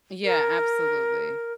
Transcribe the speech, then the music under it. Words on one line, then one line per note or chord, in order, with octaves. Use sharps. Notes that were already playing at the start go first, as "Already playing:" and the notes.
Yeah, absolutely.
A#4